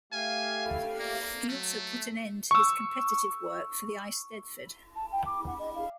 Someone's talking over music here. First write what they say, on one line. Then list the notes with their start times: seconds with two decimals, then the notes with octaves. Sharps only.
He also put an end to his competitive work for the Eisteddfod.
0.13 A3 G4 F5 G#5
1.00 A#3
1.49 F#3 A3
2.51 C#6 E6
4.96 A5
5.12 G5
5.26 D6
5.46 F#5
5.59 D#5
5.74 F5